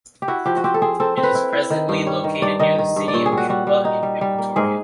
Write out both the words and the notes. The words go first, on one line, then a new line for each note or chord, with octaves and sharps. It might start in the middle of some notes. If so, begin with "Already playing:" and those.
It is presently located near the city of Juba in Equatoria.
G4
E4 F#4
F3 G4
F#4
C4 G4
A4
C4 G#4
C4 A4
C4
B4
E4
E4
D#3
G2
G3 C#5
D#3
G2 D5
D#3 D#5
D#3
G2
D5
A#2 C#5
G#4
G3
F#4
G3 F#4
G3
D#4
G3
G3
A#3
G#2 G#4